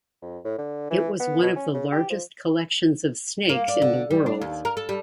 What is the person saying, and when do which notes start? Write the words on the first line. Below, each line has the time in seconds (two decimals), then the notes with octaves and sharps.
It was one of the largest collections of snakes in the world.
0.22 F2
0.44 A2
0.58 D3
0.90 E3
1.19 B3
1.42 B2
1.56 C#4
1.74 C#3
1.92 G4
2.10 F3
3.49 A#3
3.68 D5
3.82 D3
4.11 G3
4.26 D4
4.41 D#2
4.65 A#4
4.77 A4
4.89 G3